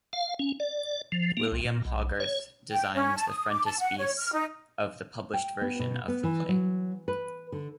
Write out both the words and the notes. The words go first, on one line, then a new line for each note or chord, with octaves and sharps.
William Hogarth designed the frontispiece of the published version of the play.
F5
C#4
D5
F3
A#3
C2
A#2
B1
C#5
G5
C#4
A5
D#6
D6
A5
F#5
C#5
F6
D#4
G5
B3
B2
B3
E3
F#3
B4
D3